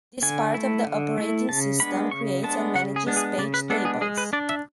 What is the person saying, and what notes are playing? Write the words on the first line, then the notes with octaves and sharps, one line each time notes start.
This part of the operating system creates and manages page tables.
D3 G#5
A3 E4
D3
A3 E4
C#3 A5
G#3 B3 D4 B5
C#3 C#6
G#3 B3 D4 A5
C#3 F#5
G#4
G#3 B3 D4
G#4
C#3 D5
B4
G#3 B3 D4 A4
G#4
G#3 G#4
B4
D4 D5
E5